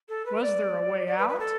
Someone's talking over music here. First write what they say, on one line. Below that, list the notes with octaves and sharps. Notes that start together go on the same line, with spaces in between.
Was there a way out?
A4
B4
D5
D5
B4
B4
A4